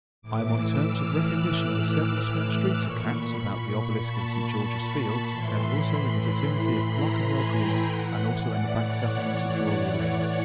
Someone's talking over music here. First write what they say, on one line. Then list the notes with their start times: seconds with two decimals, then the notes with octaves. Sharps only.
I am on terms of recognition with several small streets of cats, about the Obelisk in Saint George's Fields, and also in the vicinity of Clerkenwell- green, and also in the back settlements of Drury-lane.
0.22 A2 E3 D6
0.54 E6
0.85 F6
1.17 F#6
2.13 F#6
2.44 D6
2.76 A#2 C#6
3.08 B5
4.03 A5
4.67 B5
5.30 A2 E3 C6
5.62 B5
5.94 C6
6.25 C6
6.58 C6
6.89 A#5
7.21 G#5
7.52 G5
7.84 A2 E3 F#5
8.47 D5
8.80 C#5
9.11 C#5
9.43 C#5
9.75 C#5